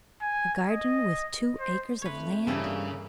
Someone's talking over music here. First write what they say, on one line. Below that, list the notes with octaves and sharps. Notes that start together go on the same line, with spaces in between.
"A garden with two acres of land!"
G#5
D#5
C5
F2 A3 B4 C#5
G2 C#3 E3 G3 A#3 A4